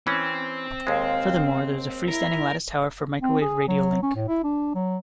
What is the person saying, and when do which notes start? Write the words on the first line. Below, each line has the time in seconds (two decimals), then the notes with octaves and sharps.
Furthermore there is a free standing lattice tower for microwave radio link.
0.07 E3 C4 C#4
0.87 D#2 G#3 F5
2.08 E4 A#4
3.22 C4
3.41 G#4
3.68 F#3
4.03 C#4
4.16 A2
4.28 E4
4.44 D4
4.75 F#3